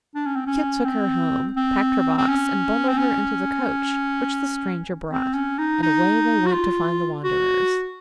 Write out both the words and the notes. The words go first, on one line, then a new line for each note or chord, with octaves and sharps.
Kit took her home, packed her box and bundled her into the coach which the Stranger brought, and away they went to find the wanderers.
D4
C#4
C4
C#4
C4
C4
C4
C#4
C4
C#4
C4
C#4
D#4
D#4
F#4
F4
F#4